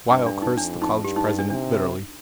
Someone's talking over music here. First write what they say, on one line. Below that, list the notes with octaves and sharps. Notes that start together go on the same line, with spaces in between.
Weill cursed the college president bitterly.
G2 D4
D4
D#4
F2 D4
D#4
G2 G4
D#4
D#4
D4
C3 D4